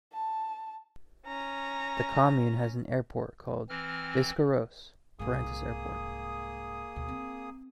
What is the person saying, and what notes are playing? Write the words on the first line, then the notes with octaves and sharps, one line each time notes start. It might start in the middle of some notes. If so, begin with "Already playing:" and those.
The commune has an airport, called Biscarrosse - Parentis Airport.
A5
C#4 A#5
E3 C4 F6
C2 G#2 A#3 G#4 D#6
D2 B2
C4